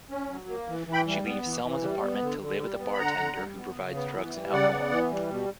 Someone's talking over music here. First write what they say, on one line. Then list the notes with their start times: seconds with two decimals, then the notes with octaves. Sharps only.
She leaves Selma's apartment to live with a bartender who provides drugs and alcohol.
0.10 C#4
0.29 F#3
0.48 A#3
0.68 E3
0.87 E3
0.93 G5 B5
1.07 G3
1.25 B3
1.45 E3
1.64 E3
1.83 G3
2.03 B3
2.22 D3
2.41 D3
2.60 G3
2.79 B3
2.93 B5
2.98 D3 F#5 A#5
3.18 D3
3.37 G3
3.56 B3
3.76 C#3
3.94 B3
4.14 E3
4.34 G3
4.53 C#3 D5 F#5
4.72 B3
4.91 E3
5.11 G3
5.30 B2